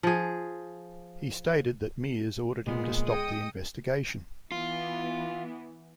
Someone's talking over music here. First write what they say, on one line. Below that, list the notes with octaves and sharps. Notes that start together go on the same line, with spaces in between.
He stated that Miers ordered him to stop the investigation.
F3 G#4
A#2 G#3 B3 F4
G#4 D#5 G5 D#6 C#7
E3 B3 F4